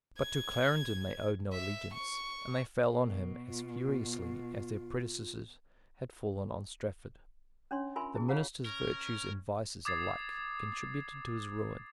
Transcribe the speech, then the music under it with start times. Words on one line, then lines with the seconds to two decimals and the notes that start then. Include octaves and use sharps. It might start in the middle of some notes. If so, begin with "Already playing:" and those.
But to Clarendon they owed no allegiance; and they fell on him as furiously as their predecessors had fallen on Strafford. The minister's virtues and vices alike contributed to his ruin.
0.18 G#6
1.53 E5
1.93 C#6
2.89 B2 A#4
3.48 F4
7.71 C#4 D4 C#5 C6
7.96 F4 A#4 E5 G#5 B5 C6
8.15 E4 G#4
8.28 F4 G#4 C#5 F5 F#5 A#5
8.65 C#4 A#4
9.85 D6 D#6 G#6 A6 C7